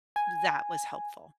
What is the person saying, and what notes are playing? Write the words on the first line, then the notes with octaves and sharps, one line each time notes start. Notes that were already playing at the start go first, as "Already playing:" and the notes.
that was helpful.
G#5